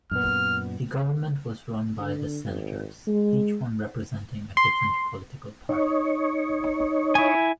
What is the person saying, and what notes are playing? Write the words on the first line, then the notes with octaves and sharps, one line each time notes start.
The government was run by the senators, each one representing a different political party.
F#2 A#2 B3 F6
D3
G#1
G#3
C6
D#4 C#5
E4 G#5